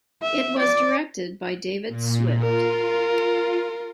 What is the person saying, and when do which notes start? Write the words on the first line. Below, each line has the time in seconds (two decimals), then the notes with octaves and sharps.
It was directed by David Swift.
0.22 E5
0.59 D5
1.88 A#2
2.43 F4 A#4